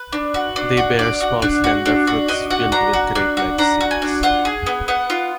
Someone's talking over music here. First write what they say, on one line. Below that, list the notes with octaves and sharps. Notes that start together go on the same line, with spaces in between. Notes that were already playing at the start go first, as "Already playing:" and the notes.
They bear small slender fruits filled with grape-like seeds.
Already playing: B4
D4
F#4
D4
F#4
D4 D5
F#4
D4
F#4
D4
F#4
D4 D#5
F#4 F#5
D4 A#5
F#4
D4
F#4
D4 A#5
F#4
G#5
D4
F4 F#5
G#4
B3
B3 F#5
F4